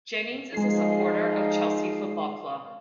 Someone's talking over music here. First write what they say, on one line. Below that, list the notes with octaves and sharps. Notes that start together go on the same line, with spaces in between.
Jennings is a supporter of Chelsea Football Club.
F3 G#3 D#4 G#4 C7